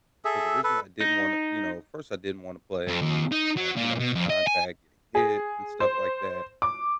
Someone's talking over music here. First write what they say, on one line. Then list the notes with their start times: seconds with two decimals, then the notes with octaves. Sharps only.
'cause originally I didn't wanna you know, first, I didn't wanna play and, you know, the contact, getting hit, and stuff like that,
0.25 G#4 A4 E5
0.64 A4 B4
1.00 D#4
2.88 F2
3.02 D#2
3.32 D#4
3.57 F#3
3.76 A#2
3.99 B2
4.15 F2
4.30 D#5
4.47 G#5
5.15 G#4
5.80 C5
6.62 D6